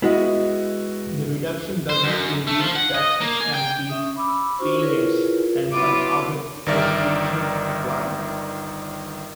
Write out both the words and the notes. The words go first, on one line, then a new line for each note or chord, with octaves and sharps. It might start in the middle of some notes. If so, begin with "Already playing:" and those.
The reduction does not reduce taxes and fees payments, and some other restrictions apply.
G#3 B3 E4 F#4 D#5
C5
F#2
A3
F3
F#5
D#5
A#3
G#5
G5
C#4 E5 D#6
B5 D6 E6
D4 F4 F#4 C5 C#6
E4 F4 G#4 A#4 B4 C#5
F#3 B3 E4 F4 D6
G1 D#3 A#4 D5 E5 F6